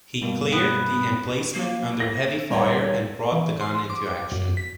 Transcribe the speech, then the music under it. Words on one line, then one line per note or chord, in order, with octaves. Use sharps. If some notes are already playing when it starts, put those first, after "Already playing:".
He cleared the emplacement under heavy fire and brought the gun into action.
G2 B2 A#3
B3
A#3
A#6
A4
D#1 C#5
E3
C6
D6
F#2
B6